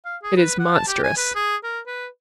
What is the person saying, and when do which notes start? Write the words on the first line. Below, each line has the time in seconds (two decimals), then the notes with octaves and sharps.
It is monstrous.
0.05 F5
0.23 G#4
0.37 B4
0.60 F#5
0.74 A5
0.88 G4
1.04 G#5
1.18 B4
1.35 G#4
1.64 A#4
1.87 B4